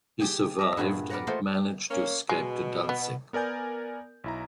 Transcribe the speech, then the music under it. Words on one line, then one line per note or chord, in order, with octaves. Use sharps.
He survived and managed to escape to Danzig.
G4 G#4 G5
A#4 E5
G2 A#2 F#4 G#4 B5
A#4 B4 D5 F#5 A#5
A3 A#3 F4 C5 D#5 F#5
A#3 C#4
B2 G#3
B3
B3 A#4 D5 G#5 G6
B1 E4 A#5